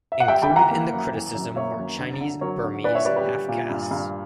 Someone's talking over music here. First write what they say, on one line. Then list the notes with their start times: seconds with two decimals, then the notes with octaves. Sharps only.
Included in the criticism were Chinese-Burmese half-castes.
0.12 E5
0.20 F#5
0.28 G3 E5 G5
0.42 G5 B5
0.50 E3
0.56 F#5 A#5
0.71 A#3
0.93 F#2
1.14 E3
1.35 F#2
1.56 A#3 C#5 E5
1.77 F#2
1.99 D3
2.20 D3
2.41 F#3 A#4 C#5
2.63 D3
2.84 A#2 B4 D5
2.95 C#5 E5
3.05 G3 B4 D5
3.16 G4 B4
3.28 G3
3.48 A#2
3.70 G2
3.91 G2